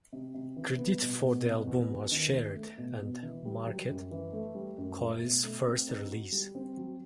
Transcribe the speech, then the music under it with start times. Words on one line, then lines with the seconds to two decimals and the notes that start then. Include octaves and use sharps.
Credit for the album was shared, and marked Coil's first release.
0.13 C3
0.34 C3
0.56 E3
0.78 B3
1.01 B2
1.22 B2
1.45 C3
1.67 E2
1.89 F#4
2.12 D#3
2.34 A3
2.56 A3
2.78 B2
3.00 B2
3.23 E3
3.45 G3
3.66 F#3
3.89 F#2
4.11 E3
4.33 A3
4.55 G3
4.78 F#2
5.00 A3
5.22 B2
5.44 A3
5.66 C4
5.89 D#4
6.11 F#4
6.32 G3
6.55 C4
6.77 F#3